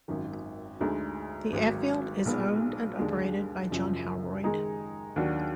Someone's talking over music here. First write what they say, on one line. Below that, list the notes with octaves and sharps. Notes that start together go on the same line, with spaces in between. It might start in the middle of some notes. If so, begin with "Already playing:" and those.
The airfield is owned and operated by John Howroyd.
G#1 F#2 D#3
D2 D3 G#3 D#4 G#4
G#1 G#2 F#3
B1 A#2 G#3 B3
D#2 D3 G#3 D4
F#1 F#2 F3
D#3 G#3 D#4 G#4
D#2 D#3 F#3 D4 F#4